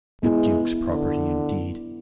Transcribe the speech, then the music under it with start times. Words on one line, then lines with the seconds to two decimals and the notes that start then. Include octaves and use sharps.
The Duke's property, indeed!
0.23 G#3 B3 E4
0.88 D3